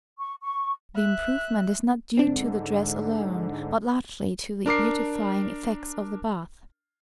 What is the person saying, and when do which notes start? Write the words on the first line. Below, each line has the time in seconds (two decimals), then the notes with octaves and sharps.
The improvement is not due to the dress alone, but largely to the beautifying effects of the bath.
0.18 C#6
0.43 C#6
0.95 E5 F#6
2.17 G#2 D3 C4 D4
4.66 D4 A#4 D6 C7